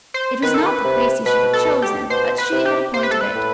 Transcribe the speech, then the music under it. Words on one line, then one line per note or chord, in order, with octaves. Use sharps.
It was not the place he should have chosen, but she had appointed it.
C5
D#3 B4
A4
B4
C3
B2 B4
A4
G4
B2 C5
B4
C3
G4
C3 C5
B4
A4
B4
A2